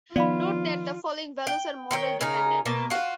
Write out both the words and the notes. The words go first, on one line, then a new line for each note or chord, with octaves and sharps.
Note that the following values are model dependent.
D#3 F3 B3 D#4 F4 D5 F5 B5
G5
D#3 C#5 G5
C#3 D#4 A#4
B2 A#3 A5
F4 F#4